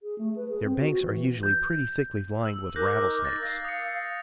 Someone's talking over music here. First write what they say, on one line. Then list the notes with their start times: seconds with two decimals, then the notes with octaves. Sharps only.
Their banks are usually pretty thickly lined with rattlesnakes.
0.03 G#4
0.18 A3
0.36 B4
0.49 G#4
0.64 C4
0.80 F#4
0.91 F#4
1.03 E3
1.43 G6
2.45 E6
2.76 D#4 A#4 D6 F#6 G6 A#6
3.25 A6 A#6
3.43 F5 A#6
3.65 D#6 C#7